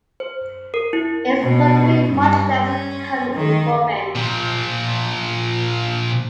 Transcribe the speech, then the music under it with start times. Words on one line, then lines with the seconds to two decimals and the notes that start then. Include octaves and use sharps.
It is thought to be much less common in women.
0.20 C5
0.74 A#4
0.93 E4
1.42 B2
2.12 G2
2.64 C#4
3.34 D#3
4.16 A#2 F3